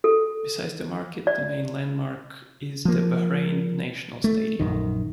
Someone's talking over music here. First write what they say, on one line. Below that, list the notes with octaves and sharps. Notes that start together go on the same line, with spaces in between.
Besides the market, the main landmark is the Bahrain National Stadium.
A4
D5
F3 A#3
A3
A#1 F#2 D#3